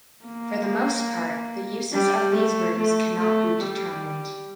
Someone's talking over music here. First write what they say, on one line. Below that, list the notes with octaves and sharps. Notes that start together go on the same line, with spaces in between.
For the most part, the uses of these rooms cannot be determined.
A#3
G3
A3
A3
A3
G3